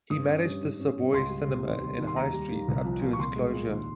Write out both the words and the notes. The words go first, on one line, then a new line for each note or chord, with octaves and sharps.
He managed the Savoy Cinema in High Street up to its closure.
G2 D#6
C#4
G3
G#2
C#4
G3
C#2 C6
G3
C3
D#2
G3
D#3
C6
D#2 A#5
G3
D#3
C2
F3
A#2
C#6
C2 C6
G#3
A#2
D#2